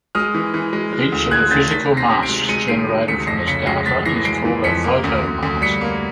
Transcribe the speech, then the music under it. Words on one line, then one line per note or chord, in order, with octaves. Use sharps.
Each of the physical masks generated from this data is called a photomask.
G#3 D#6 F6
E3
E3
G#3
G#3
D2
D2 F#6 G#6
D2 G6 A6
D#3 A6 B6
C3
A#6 C7
C3
C7 D7
G#3
G#3 C#7 D#7
D#3 C7 D7
G#3
D2 B6 C#7
F2 A#6 C7
C#3 B6 C#7
G#3 A#6 C7
G#3 A6 B6
E3 A#6 C7
G#3 C7 D7
E3
F2 B6 C#7
A#3
D2
D2
D2
G3 B6 C#7
A#3